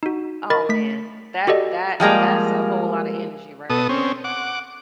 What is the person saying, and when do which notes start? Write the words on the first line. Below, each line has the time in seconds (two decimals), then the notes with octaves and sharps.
Oh, man. That that that's a whole lotta energy right there.
0.03 D#4 F#4
0.50 A#4 D#5 B5 A6
0.69 A3 B6
1.47 F#4 G4 A4 D5 D#5
2.00 F3 G3 G#3 A#3
3.70 B2 A4 D#6
3.89 C4 C#4
4.24 F#5 D6